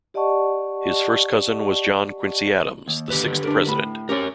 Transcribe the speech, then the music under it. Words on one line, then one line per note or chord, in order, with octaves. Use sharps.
His first cousin was John Quincy Adams, the sixth President.
G4 D5 D#5 F#5 A5 C#6
D#2
D3 G4 B4
D4 A#4
A2 B5
C4 C#4 G4 A#4 C#5